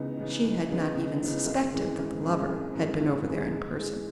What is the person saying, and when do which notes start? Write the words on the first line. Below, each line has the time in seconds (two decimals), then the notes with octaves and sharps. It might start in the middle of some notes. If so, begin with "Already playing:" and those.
She had not even suspected that the lover had been over there in person.
Already playing: C#2 C#3 E3 B3 D#4
0.17 C#3 E3 B3 D#4
0.44 C#2
0.69 C#3 E3 B3 D#4
0.95 C#2
1.21 C#3 E3 B3 D#4
1.46 G#1
1.72 F#2 E3 G#3
1.99 G#1
2.24 F#2 E3 G#3
2.49 G#1
2.75 F#2 E3 G#3
3.01 G#1
3.27 F#2 E3 G#3
3.52 G#2
3.78 E3 G#3